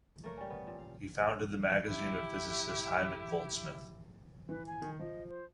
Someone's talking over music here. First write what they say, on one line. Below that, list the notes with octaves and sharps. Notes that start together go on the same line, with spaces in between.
He founded the magazine with physicist Hyman Goldsmith.
A3 A#3 A#4 C#5
G3 C#4
B3
A#2
F5
E4 G4
E3 B4
G#5
D#3
F3 D#5
C5